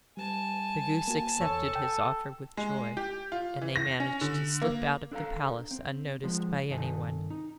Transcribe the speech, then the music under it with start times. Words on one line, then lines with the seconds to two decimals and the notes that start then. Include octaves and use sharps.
The goose accepted his offer with joy, and they managed to slip out of the palace unnoticed by anyone.
0.17 G3 G#5 A5
1.08 A#3 F#4
1.41 E2 A4 C#5
1.75 G5
2.57 G#3
2.97 G4
3.32 F4
3.61 E3
3.76 A#6
4.00 C#4
4.21 D3
4.62 A#3
5.11 D4 A4 F5 A#5
5.71 C4
6.24 F3 G#3
6.70 C2 G2 D#3 A4 G#5
7.30 D#4